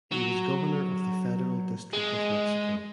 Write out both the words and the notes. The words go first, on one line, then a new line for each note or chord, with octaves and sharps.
He was governor of the Federal District of Mexico.
F#3
G#3